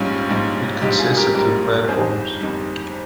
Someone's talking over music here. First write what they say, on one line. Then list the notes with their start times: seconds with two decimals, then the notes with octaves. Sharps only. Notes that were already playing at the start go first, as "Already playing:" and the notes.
It consists of two platforms.
Already playing: A#1 G#2 G3 C#4 F4
0.29 A#1 G#2 G3
0.81 A#1 G#2 G3 D#4 G4
0.99 F4 G#4
1.17 G4 A#4
1.35 A#1 G#2 G3 G4 A#4
1.88 G1 F2 D#3 G3 G#4 C5
2.41 G1 F2 D#3 G3